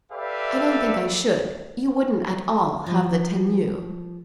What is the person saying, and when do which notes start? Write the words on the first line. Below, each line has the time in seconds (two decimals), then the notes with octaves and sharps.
"I don't think I should: you wouldn't at all have the tenue."
0.12 G4 A4 B4 D5 E5 F5
2.86 F3